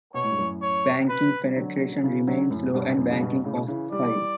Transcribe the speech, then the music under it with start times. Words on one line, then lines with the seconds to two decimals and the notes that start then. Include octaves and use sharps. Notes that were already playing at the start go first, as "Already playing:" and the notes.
Banking penetration remains low and banking costs high.
0.14 B2 C#5
0.24 A2
0.31 G2
0.38 F#2 A2
0.62 C#5
1.09 B4
1.44 G3
1.56 D3 F#3
1.93 F#3
2.03 C#3 E3
2.27 D3 F#3
2.51 F#2 A2
2.74 G2 B2
2.98 F#2 A2
3.11 C#3
3.21 G2 B2
3.45 A2 C#3
3.68 C#3 E3
3.92 E3 G3 D5